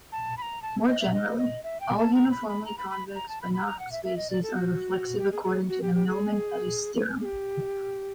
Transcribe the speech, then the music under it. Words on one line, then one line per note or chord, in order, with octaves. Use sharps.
More generally: all uniformly convex Banach spaces are reflexive according to the Milman-Pettis theorem.
A5
B5
A#5
A5
D#5
E5
D#5
D#5
E5
G5
A5
A#5
B5
B5
A#5
B5
B5
A#5
A5
B5
B5
A#5
F#5
E5
E5
D#5
D5
A4
F#4
G4
G#4
G#4
F#4
G4
G4
G#4
G#4
G4